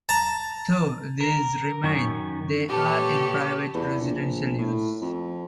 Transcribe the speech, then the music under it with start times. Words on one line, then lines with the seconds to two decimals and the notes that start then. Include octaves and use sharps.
Though these remain, they are in private residential use.
0.09 A5 A#5
1.21 A#4
1.84 F#2 D#3 C#4 C#6
2.69 A#2 G4 A4 B4 C#5
3.75 E2
4.00 A#1
4.58 A2
5.02 F2